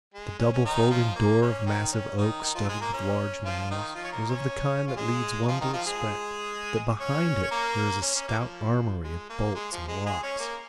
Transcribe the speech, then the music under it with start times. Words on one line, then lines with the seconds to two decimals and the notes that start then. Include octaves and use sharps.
The double folding-door of massive oak, studded with large nails, was of the kind that leads one to expect that behind it there is a stout armoury of bolts and locks.
0.14 G#3
0.39 C#4
0.53 C#4
0.65 D#3 D#4
0.90 F3 F4
1.15 A#3
1.42 C#4
1.66 D#3 D#4
1.92 C#4
2.18 D#3 D#4
2.42 D#3 D#4
2.55 F3 F4
2.69 G#3 G#4
2.80 A#3 A#4
2.93 C#4
3.45 F3 F4
3.71 D#3 D#4
3.95 F3 F4
4.04 C#5
4.13 A#3 A#4
4.29 C#4 C#5
4.87 F4
4.97 G#3 G#4
5.42 D#4
5.48 F3 F4
5.61 D#3 D#4
5.73 F3 F4
5.86 G#3 G#4
7.00 C#4 C#5
7.43 C#5
7.51 A#3 A#4
8.02 C#4
8.15 C#4
8.28 A#3
8.40 F3
9.03 G#3
9.30 A#3
9.55 G#3
9.72 F3
9.88 G#3
10.06 G#3 G#4
10.23 C#4 C#5
10.39 A#3 A#4